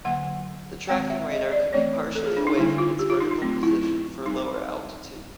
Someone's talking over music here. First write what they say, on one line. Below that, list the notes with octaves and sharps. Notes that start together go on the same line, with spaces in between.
The tracking radar could be partially away from its vertical position for lower altitude.
D3 F#3 A#3 F#5
D#3 G#3 C4 G5
E5
D#5
D5
E3 A3 C4 C#5
A4
G#4
D4
D#4
D3 G3 A#3 E4
F4
G4
F4
D#4
D#4
F#3 A3 C4
E4
E4
G3 C4 D#4